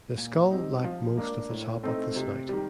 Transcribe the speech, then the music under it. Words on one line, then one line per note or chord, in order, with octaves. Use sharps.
The skull lacked most of the top of the snout.
A#2
G3 C4 D#4
F3
A#3 D4
A2
A3 C4 D#4
C3
D#3 G3